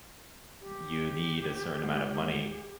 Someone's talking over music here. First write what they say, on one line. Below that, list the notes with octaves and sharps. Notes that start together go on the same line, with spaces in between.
you need a certain amount of money.
G4
G#2